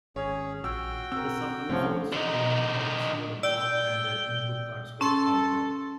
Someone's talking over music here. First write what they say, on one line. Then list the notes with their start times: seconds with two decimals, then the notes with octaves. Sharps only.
The subwoofers' tuning ports were blocked and their input cards were altered.
0.16 G#1 C#4 G#4 C#5
0.64 A#1 F#4 G5 E6
1.12 C4 A#4 E6
1.69 C2 F3 A3 C4 C#4 C#5
2.12 D3 D#4
3.43 D5 G5 E6
5.01 C#4 A4 A5 C6